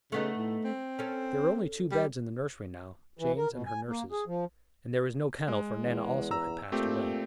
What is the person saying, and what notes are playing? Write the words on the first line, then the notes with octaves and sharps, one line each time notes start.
There were only two beds in the nursery now, Jane's and her nurse's; and there was no kennel, for Nana also had passed away.
C#3 A3 B3 D#4
A2
C4
C#4 A4
G3
E3
A#4
B2
G#5
A#3
G#4
F3
G#3
E2
A#5 E6
A#2 A3 C4 G4